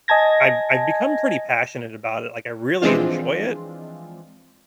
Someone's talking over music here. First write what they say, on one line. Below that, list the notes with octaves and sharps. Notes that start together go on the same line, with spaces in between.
I've I've become pretty passionate about it, like I really enjoy it,
D#5 G#5 A5 G#6 A#6
E3 F3 G#3 C4 D4 F4